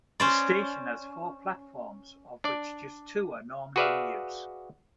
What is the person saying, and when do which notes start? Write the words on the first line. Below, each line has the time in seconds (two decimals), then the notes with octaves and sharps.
The station has four platforms, of which just two are normally in use.
0.20 C#4 C5 D5
2.44 D4 D5
3.76 F#4 G#4 B4 D5 E5 F5